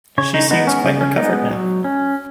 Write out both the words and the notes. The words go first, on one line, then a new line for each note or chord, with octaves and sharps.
She seems quite recovered now.
C#3 C#5
D#4
G#3 B3 D#4
C#4
C#3
C#4
G#3 B3 D#4
F#3
C#4